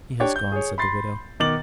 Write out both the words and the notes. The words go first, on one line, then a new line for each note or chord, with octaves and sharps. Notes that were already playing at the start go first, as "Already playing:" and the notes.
"He has gone," said the widow.
D4 G4 C#5 G5
G6
G#4 C#5
B5 C6 A6 C7
B2 D#3 D6 A6 F#7